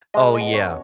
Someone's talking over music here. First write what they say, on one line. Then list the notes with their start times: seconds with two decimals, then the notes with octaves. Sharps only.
Oh, yeah.
0.14 G#3 D#5
0.35 D#5
0.41 B2
0.54 C#5
0.67 C#4